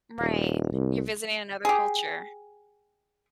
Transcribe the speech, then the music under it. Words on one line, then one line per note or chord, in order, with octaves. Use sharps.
Right, you're visiting another culture.
D#1
C2
G4 G#4